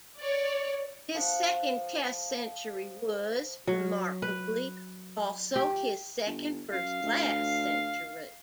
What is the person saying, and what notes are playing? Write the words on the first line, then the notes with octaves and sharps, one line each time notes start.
This second Test century was, remarkably, also his second first-class century.
C#5 D5
F3 F#5
F#3
B4
G4
G1
F#2 F5
D2